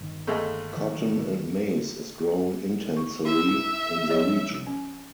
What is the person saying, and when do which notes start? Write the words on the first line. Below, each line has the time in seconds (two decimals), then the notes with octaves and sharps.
Cotton and maize is grown intensely in the region.
0.01 G1 D#3
0.27 D#2 G#3 A3
0.77 D#3 E3 F#3
2.97 C#6
3.25 E4 E5
4.10 F3 C#5 D#5
4.67 C#4